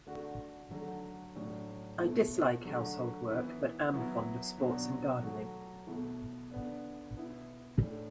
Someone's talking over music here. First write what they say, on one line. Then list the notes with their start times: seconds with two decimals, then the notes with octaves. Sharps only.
I dislike household work, but am fond of sports and gardening.
0.07 D3 A3 D4 F#4
0.71 D3 F#3 A3 F#4
1.35 A2 F#3 D4 F#4
2.00 B2 A3 E4
2.64 D3 F#3 A3
3.29 E3 B3 E4
3.94 F#3 B3 E4
4.58 B2 F#3 D4
5.22 F#3 A3 F#4
5.87 B2 A3 E4
6.51 D3 B3 D4
7.16 B2 B3 E4
7.80 A2 A3 D4